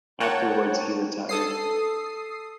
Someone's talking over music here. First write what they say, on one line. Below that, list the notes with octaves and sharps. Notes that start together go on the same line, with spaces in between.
Afterwards he retired.
A#4 C#5 F#5 G5 A5
A4 D#6 C7